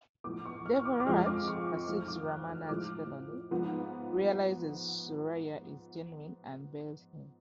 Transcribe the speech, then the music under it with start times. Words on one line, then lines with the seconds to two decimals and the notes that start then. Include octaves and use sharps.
Devaraj perceives Ramana's felony, realises Surya is genuine and bails him.
0.24 A2 F3 B3 D6
0.45 C#6
0.66 F6
0.79 C#6
0.85 D6
1.00 D6
1.07 F2 F3 G#3 F6
1.26 D6
1.48 C#6
1.67 D6
1.87 G#2 F3 A3 F6
2.08 D6
2.28 F#6
2.49 F6
2.69 A2 F3 G#3 D6
3.51 G#2 F3 B3